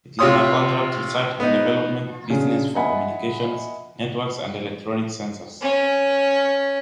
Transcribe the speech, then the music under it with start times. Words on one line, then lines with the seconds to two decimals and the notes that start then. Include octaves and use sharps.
It is a contract research and development business for communications, networks, and electronic sensors.
0.19 C3 F4 G4 C#5 C6 D#6
1.40 B3 D#4
2.30 C#3 C#4 D4 F#4 G#4
2.75 D#5 E5 F#5 G#5 B5
5.62 C#4